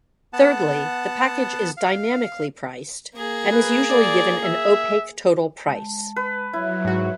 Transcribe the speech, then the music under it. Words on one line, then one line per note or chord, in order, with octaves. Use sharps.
Thirdly, the package is dynamically priced and is usually given an opaque total price.
B3 F#5 A5
F5
A#3 G#4
B4
D5
E5
G#3 A5
B4
F#3 E4 C#5 E5
G#2 F#4